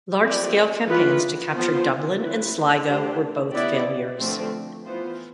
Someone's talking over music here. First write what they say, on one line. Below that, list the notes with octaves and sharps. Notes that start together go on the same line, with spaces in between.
Large-scale campaigns to capture Dublin and Sligo were both failures.
F3 C4 G4 B4 D5
E3 B3 F4 B4
F3 B3 F4 C5
C4 E4 B4
A3 D4 G4 C5
B3 E4 G4 D5
D3 F3 A3 C4
E3 B3 F4 C5